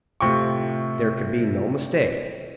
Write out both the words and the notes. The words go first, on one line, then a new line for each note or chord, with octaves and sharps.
There could be no mistake.
A2 C3 F4 G5 C#6